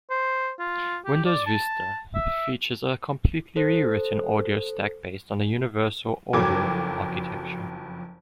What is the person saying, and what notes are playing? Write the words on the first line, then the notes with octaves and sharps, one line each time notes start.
Windows Vista features a completely re-written audio stack based on the "Universal Audio Architecture".
C5
F4
G4
D5
A5
E5
A4 C5
F#1 F2 F#3 A4 D6 G#6